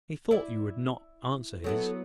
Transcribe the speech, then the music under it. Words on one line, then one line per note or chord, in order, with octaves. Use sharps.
He thought you would not answer his.
E4 D5
F#3 B3 E4 A4